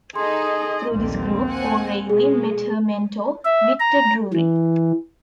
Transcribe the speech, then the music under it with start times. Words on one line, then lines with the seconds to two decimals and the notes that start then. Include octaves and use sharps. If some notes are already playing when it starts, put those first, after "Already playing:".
Through this group, O'Reilly met her mentor, Victor Drury.
0.16 D#4 G#4 A4 D#5 C6
0.92 A#1 D#2 D3 A#3 C4
1.48 C5 F#5 G#5
2.10 B2 G#3 G#4
3.45 E5
3.80 A#5
4.34 E3